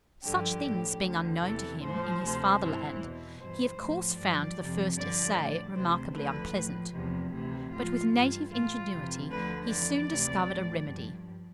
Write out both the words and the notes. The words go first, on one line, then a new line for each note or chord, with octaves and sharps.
Such things being unknown to him in his fatherland, he of course found the first essay remarkably unpleasant, but with native ingenuity he soon discovered a remedy.
G2 D3 F3 G4
A2 F3
D2 D3 F3
E2 C3 E3 A4
A2 F3 C5
D2 C3 F3
G2 E3
E2 B2
G2 E3 C5
A2 F3
G2 F3 D5
F2 C3 F3
G2 D3 F3 D5
A2 F3
D2 C3 E3 C5
D2 D3 F3 B4
A2 F3
E2 C3 F3
D2 C3 E3
A2 F3 F4
G2 E3
A2 E3 F4
F2 C3 E3
D2 D3 F3 B4
F2 E3 D5
D2 C3 E3
A2 F3
G2 F3